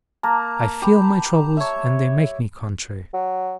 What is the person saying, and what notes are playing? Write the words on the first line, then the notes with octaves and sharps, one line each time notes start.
I feel my troubles, and they make me contrary.
A#3 A5 A#5
G4 B5
C#5 E5
F#3